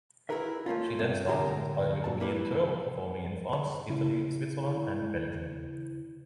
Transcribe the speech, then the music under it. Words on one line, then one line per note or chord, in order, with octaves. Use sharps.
She then started a European tour performing in France, Italy, Switzerland and Belgium.
E4 F#4 G#4 A#4 B4 E5
A3 A#3 C#4 F4
G2 C3
A2 D3 G4 G#4 A#4
A#2 F#3 A5
A#3 E4 G4 B4
C#3 E4